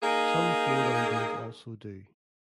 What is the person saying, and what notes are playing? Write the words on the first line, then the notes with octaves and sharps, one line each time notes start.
Some Ford engines also do.
A#3 D#4 G#4